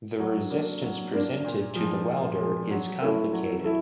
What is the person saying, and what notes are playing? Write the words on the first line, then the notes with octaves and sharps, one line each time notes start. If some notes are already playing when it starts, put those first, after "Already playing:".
The resistance presented to the welder is complicated.
F#3
A#3 D4
F#3
A#3 D4
A#2
F3 G#3
A#2
F3 G#3
F#3
A3 C#4 E4 A4
F#3
E4 A4